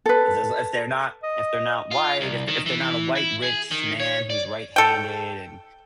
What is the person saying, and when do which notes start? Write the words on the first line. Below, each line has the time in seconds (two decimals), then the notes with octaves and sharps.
as as if they're not if they're not white, if if they're not a white rich man who's right-handed and
0.06 A4 B4
1.23 D#5
1.91 F4
2.21 C2
2.48 D#3
2.66 E3
3.15 E4
3.42 G#4
3.71 D#3
4.00 C#5
4.30 D5
4.76 A4 G5